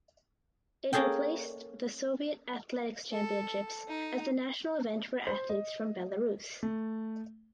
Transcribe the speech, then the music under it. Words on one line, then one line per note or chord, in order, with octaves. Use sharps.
It replaced the Soviet Athletics Championships as the national event for athletes from Belarus.
A#3 C#4 G#4 A4 G5
A4
D#4
C5
D#5
A3